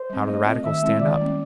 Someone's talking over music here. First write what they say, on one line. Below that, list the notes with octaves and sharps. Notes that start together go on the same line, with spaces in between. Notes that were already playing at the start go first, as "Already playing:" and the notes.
"How do the radicals stand up?"
Already playing: C5
G3 C4
A3 D#5
C4 F4 A4
D#3 E5
G#3 C4 E4
D#3 D5
G3 A#3 C#4